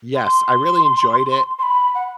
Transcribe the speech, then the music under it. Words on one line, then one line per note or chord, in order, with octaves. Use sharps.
Yes, I really enjoyed it.
C6
C6
B5
F#5